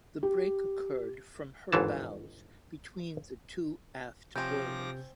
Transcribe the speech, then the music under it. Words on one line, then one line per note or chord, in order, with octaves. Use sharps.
The break occurred from her bows, between the two aft boilers.
G4
G1 D#2 G#2 E3 A5
C3 F3 C4 C#4 D6 G6 A#6